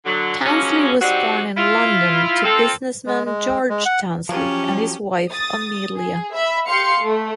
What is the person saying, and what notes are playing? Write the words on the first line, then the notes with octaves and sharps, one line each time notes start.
Tansley was born in London to businessman George Tansley and his wife Amelia.
D3 F#3
F3 F#3 G#3 A#3 C#4
F#3 G3 C4 D4 D#4 F#4
E4 F4
C4 F4 A4
G#3
G#3
G#3
F#5
F3 F#3 C#4 F4 G4
D#6 A6
G#4
E5 B5
G4 F5 C6 C#7
A3